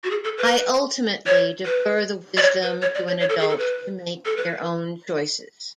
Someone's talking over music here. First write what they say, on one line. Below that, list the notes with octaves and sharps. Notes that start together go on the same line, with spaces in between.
I ultimately defer the wisdom to an adult to make their own choices.
F#4
G#4
A4
B4
C#5
B4
D5
C#5
B4
C#5
D5
C#5
C#5
A4
G#4
A4
B4
A4
B4